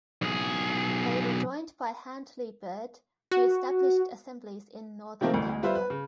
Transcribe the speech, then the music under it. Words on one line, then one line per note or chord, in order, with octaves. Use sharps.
They were joined by Handley Bird, who established assemblies in Northern Kerala.
B1 G#4
F#4
C3 D#3 F3 A3 A#3 C4
E1 A1 D2
D2
G3 F4 B4 C5 E5
B4
C#3